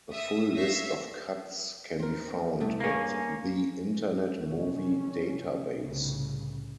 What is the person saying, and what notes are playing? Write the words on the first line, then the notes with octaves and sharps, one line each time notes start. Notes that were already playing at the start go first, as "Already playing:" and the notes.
A full list of cuts can be found at the Internet Movie Database.
E5 D#6
C#5 E5 F5 A#6 C7
C4 A#4
C2 A3
G2 A#3 C#4 G#4
C3 C#4
C2 A2 C#3